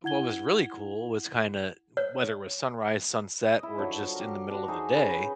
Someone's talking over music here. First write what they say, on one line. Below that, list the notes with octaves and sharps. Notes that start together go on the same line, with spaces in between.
what was really cool was kinda, whether it was sunrise, sunset, or just in the middle of the day
E4 F#5 G#6 G7
C#5
E4 D#5
D3 F3 F#3
G4 A#4
D4 F#4
D#4 F#4 G#4 C5
C#3 B4 D#5